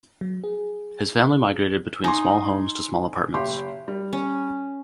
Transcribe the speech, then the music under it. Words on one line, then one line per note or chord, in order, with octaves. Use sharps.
His family migrated between small homes to small apartments.
F#3
G#4
D#4 G#5 C6
F#1 G4 C6
G3
C#4